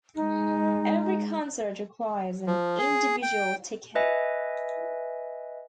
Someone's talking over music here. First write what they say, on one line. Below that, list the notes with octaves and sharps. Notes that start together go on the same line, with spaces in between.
Every concert requires an individual ticket.
G#3 D#4
F3
G#4
G5
B4 D#5 E5 G#5